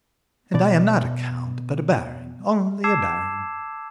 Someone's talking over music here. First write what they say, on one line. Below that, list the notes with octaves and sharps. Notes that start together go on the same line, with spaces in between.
And I am not a count but a baron, only a baron.
B2 D5
A5 D6 E6 G#6 C7 E7